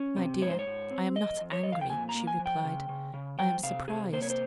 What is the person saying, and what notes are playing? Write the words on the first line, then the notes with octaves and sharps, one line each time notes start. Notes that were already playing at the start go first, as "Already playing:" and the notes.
'My dear, I am not angry,' she replied: 'I am surprised.
Already playing: C#4
C3
G#2 C#5
C5
C#5
G#2
C4
F2 D#5
F2
C#5
F2 D#5
F5
G5
A#2 G#5
A#5
A#3
G#5
F3
G5
C#3
C#3
C#3
F3 G5
C3 F5
C3 G#4
A#3 C5
C#5
C5